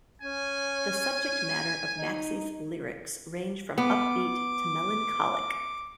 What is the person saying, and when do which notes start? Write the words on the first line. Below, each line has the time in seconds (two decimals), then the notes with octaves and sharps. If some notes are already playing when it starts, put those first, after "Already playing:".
The subject matter of Maxi's lyrics range from upbeat to melancholic.
0.21 C#4 G#5
1.98 D#4
3.78 B3 D6